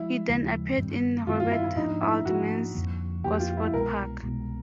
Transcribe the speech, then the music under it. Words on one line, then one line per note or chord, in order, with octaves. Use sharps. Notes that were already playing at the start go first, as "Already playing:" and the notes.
He then appeared in Robert Altman's "Gosford Park".
Already playing: F3 G#3 E4
D#2 C#3 F3 G#3
G2 D#3 G3 C4
G2 D#3 G3 C4 F4
F4
E4
E4
G#2 F3 A#3 D4 D#4
E4
G#2 F3 A#3 D4 F#4
F2 D3 F3 A#3
F2 D3 F3 A#3 G4
F4
E4
C2 B2 G#3 B3 A#4
C2 B2 G#3 B3